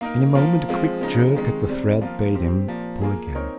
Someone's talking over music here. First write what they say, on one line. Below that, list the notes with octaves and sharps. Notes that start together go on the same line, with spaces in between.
In a moment a quick jerk at the thread bade him pull again.
A#3 D#4 A#4
F3 A#3 F4
F3 G#3 C4 F4
C#3 F3 G#3 D#4
C3 D#3 G#3
C3 G3 C4
F3 A#3 F4
C4 G4 C5
A#2 F3 A#3
A#3 F4 G#4
C4 D#4 A#4 C#5